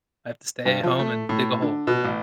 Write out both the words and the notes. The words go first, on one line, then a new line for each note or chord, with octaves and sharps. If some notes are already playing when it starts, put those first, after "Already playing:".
I have to stay at home and dig a hole," you know.
G2
F3
A3
A2
D3
B2
A1